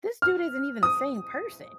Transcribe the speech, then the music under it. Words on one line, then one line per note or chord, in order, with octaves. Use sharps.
this dude isn't even the same person.
F6
D#6